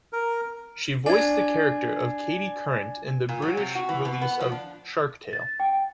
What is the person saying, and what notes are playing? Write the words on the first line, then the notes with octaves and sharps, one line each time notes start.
She voiced the character of Katie Current in the British release of "Shark Tale".
A#4
D4 G#5 G#6
A#2
F#3
C3
F#4
E3
B2
B3
F3
D4
A6
G5